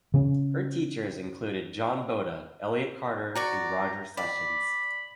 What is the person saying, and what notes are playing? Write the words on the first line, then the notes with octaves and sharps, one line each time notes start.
Her teachers included John Boda, Elliott Carter, and Roger Sessions.
C#3 C#4
F#4 D5 A#5 C#6
D5 B5